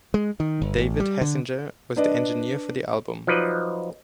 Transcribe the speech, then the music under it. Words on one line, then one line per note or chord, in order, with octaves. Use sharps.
David Hassinger was the engineer for the album.
G#3
D#3
G1
A1
G3
D3
D4 B4 D5 D#5
F3 F#3 D#4 B4 D5 D#5